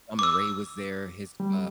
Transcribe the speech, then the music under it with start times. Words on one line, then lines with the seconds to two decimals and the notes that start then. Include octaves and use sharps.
Summer Ray was there, his uh
0.19 D6 E6
1.40 G3